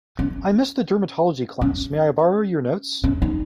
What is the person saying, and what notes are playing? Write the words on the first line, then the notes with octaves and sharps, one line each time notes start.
I missed the dermatology class, may I borrow your notes?
C#4
C#4
C#4
D#4